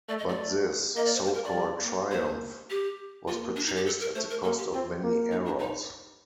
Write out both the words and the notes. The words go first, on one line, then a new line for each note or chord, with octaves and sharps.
But this so-called triumph was purchased at the cost of many errors.
A3 D5
D#5
D5
A3
A#3 D#5
D5
C5
C5
A#4
D5
G3
A#3
A#3 C5
G4
A#3 F4
D4
D#4
G4
A4
A#4
A3 C5
A#4
A#3 A4
G4
C4 F4
A#3
D#4
D4
D#4